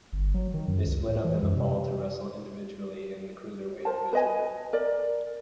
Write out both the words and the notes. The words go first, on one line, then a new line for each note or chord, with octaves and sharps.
They split up in the fall to wrestle individually in the cruiserweight division.
G1
F#3
D#3
F#2
C#2
A2
E3
F#2
C3
A#4 C5 A5
B4 D#5 G#5
A#4 D5